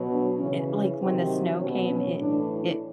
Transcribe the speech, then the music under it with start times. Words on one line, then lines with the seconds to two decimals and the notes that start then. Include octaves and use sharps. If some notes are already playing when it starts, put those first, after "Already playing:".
it like when the snow came, it it
Already playing: B2 F#3
0.09 D4
0.38 C#3 E3 C#4
0.69 C#4
0.98 C3 D#3 F#3 C4
1.59 B2 F#3 C#4
1.88 C#4
2.18 A2 E3 D4